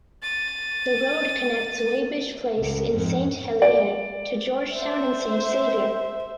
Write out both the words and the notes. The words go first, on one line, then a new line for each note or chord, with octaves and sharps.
The road connects Weighbridge Place in St Helier to Georgetown in St Saviour.
A6 D#7
C#2
F2 G#2
D5
C5 E5